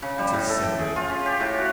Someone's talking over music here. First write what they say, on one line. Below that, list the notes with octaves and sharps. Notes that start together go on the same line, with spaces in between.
What is Cinnamon?
C#3
G3
A2
A4
G5
G#4
F4
C#4
G4
A2
F#4